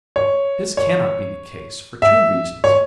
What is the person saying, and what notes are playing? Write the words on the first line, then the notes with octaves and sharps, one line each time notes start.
But this cannot be the case for two reasons.
C#5
C#5
E5
C#5